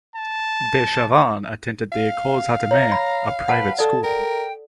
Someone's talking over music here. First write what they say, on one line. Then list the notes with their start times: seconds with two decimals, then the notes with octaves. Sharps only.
Dechavanne attended the Cours Hattemer, a private school.
0.16 A5
1.92 F5
2.71 C#5 A#5
2.92 B5
3.48 B4 F#5 A5
3.79 A4 D5 A5
4.03 A#4 G5